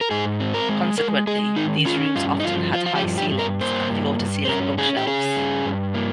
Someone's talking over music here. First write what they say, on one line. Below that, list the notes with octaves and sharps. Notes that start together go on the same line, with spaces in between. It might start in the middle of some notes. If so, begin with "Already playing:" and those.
Consequently, these rooms often had high ceilings and floor-to-ceiling bookshelves.
A#4
G#2 G#4
C4
A#4
G#3
G#3 A#4
G#3 G#4
D#3 D#4
C#4 F4
G2 F4
D#4
F3 F4
F3 F4
F4
G4
G2
G4
G2
A#4
A#3 C5
G2
G2
C5
C#4 A#4
C#4 G#4
G4
C#4 G#4
G2
G2
A#3